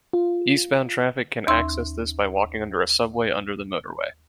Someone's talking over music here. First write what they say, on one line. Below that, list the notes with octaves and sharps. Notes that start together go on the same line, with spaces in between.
Eastbound traffic can access this by walking under a subway under the motorway.
F4
D#2 D#4 E5 C6 E6